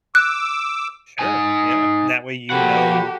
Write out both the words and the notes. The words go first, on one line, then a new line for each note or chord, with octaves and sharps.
Sure, yeah. And that way you know
D6 E6 F#6
D#4 G#5
F3 A#3 F#4 G4 A4 F#5 B5